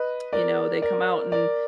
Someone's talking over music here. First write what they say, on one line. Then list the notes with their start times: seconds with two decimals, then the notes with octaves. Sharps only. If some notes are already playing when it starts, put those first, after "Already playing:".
you know, they come out and
Already playing: B4 D#5
0.33 A#4 D5
0.82 A#4 D5
1.32 A#4 D5